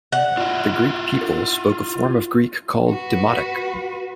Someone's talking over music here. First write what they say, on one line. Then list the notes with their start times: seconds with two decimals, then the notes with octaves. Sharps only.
The Greek people spoke a form of Greek called Demotic.
0.12 F#5
0.38 F4 F#4 E5
2.90 F#4 B4